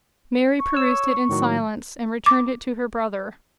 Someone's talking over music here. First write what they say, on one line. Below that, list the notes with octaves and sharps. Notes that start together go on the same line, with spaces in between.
Mary perused it in silence, and returned it to her brother.
C#6
C#5 E6
A2 D#3 F#3
D6